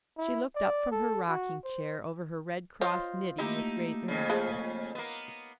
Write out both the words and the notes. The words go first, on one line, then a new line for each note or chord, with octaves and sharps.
She looked up from her rocking-chair over her Red Cross knitting with great earnestness.
E4
D5
A4
F#4
C5
F4 C5 C#5 D#5
A3 A#3 D#4 E4 G4
F2 C#3
F3 G#3
A#3 B3